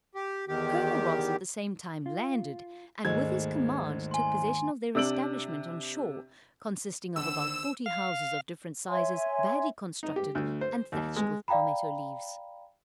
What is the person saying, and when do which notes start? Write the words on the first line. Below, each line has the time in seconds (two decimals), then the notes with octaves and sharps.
Col. Ross at the same time landed, and with his command took possession of their establishment on shore, consisting of about forty houses of different sizes, badly constructed, and thatched with palmetto leaves.
0.15 G4
0.48 E2 D#3 G4
2.06 F4
3.04 G#1 D#2 G#3 A3 G#6
4.11 G#5 C6
4.95 C3 D4 E6 D7 F#7
7.16 D#2 D3 C5 F#5 E6 E7
7.86 F5
8.88 C#5 E5 G#5 C6
10.03 D#4
10.16 G4
10.35 D2
10.61 C5
10.92 D#2
11.16 G#3
11.48 D5 F5 G5 A#5 B5